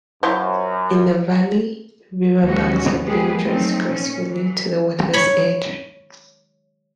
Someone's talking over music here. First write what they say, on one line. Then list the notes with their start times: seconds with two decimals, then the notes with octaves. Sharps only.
In the valley, river banks have been dressed gracefully to the water's edge.
0.23 F#2 F3 E4 C5
2.41 D#2 E3 G#3 C#4 F#4
3.03 F3 G#3 A#3 B3 G4 G#4
3.45 F#3 A3 C4 C#4 D#4
3.84 A#2 C#4
4.31 E3 F#3
5.13 C#5 B5